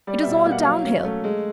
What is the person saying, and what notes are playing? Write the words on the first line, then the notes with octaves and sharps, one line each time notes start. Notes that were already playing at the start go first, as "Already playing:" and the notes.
It is all down hill.
G3 D5
E5
B2
F5
A#3
F#5
F#3 F5
C#4
A3
G#3